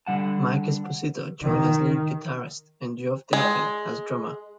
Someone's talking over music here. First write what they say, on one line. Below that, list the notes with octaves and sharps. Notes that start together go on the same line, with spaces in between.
Mike Esposito joined as lead guitarist and Geoff Daking as drummer.
D3 G3 F#5 A5
D#3
G#3